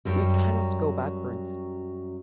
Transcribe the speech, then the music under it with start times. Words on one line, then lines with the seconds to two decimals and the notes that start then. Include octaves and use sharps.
We cannot go backwards.
0.05 F#2 F#3 G3